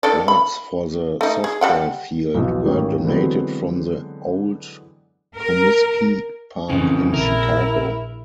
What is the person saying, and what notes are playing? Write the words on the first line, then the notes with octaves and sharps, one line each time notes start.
Lights for the softball field were donated from the old Comiskey Park in Chicago.
D#3 A4 D5
B5
A3 D#4
G#4
G3 F#5 G5
B1 E2 B2 F3
G#1 A2 D#3 G3 C#4
D3 E3 F#3 G#3 B3 C4
A#4
F2 C#3 E3
A#1 E4 A#4